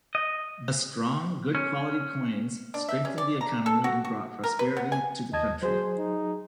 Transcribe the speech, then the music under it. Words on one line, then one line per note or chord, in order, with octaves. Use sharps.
The strong, good-quality coins strengthened the economy and brought prosperity to the country.
D#5
C#4
D4
E5
C#4
D5
A#5
A4
F#4
F#4
A#4
B4
B3
G#5
D#2 D#5 A5 G#6
F#3 G#4 C5
D#4